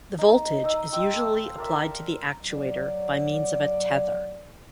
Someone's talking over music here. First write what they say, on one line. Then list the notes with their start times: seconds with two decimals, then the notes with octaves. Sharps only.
The voltage is usually applied to the actuator by means of a 'tether'.
0.19 D#4
0.64 D#4 D#6 E6
0.92 G5 C6 E6
1.13 A4
1.43 F5
1.58 A#4 D5 E5
2.43 F#3 D5